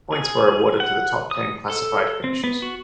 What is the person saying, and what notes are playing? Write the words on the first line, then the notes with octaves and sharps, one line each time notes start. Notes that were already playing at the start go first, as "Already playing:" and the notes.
Points were awarded to the top ten classified finishers.
G#4
F#5
D#6
A4
C4
B3
F#4